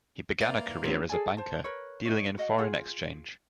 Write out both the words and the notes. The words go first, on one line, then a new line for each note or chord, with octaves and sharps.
He began a career as a banker, dealing in Foreign Exchange.
A#3 B4 D5 E5 A6
F3 A3 B3 C4 D4 F4 G4 B4
G#4 A4 D5 G#5
C5 A5
A#4 B4 C#5
D#4 C#5
F#4 D#5 F5 F#5
F4 G#4 F#5